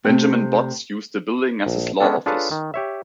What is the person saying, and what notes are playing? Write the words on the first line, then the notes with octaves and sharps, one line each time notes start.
Benjamin Botts used the building as his law office.
C3 A3 C4
A#1
G#3 B3 C#4 D4 A4
D4 F4 G#4 A4 B4 C#5
D#3
G4 C#5 E5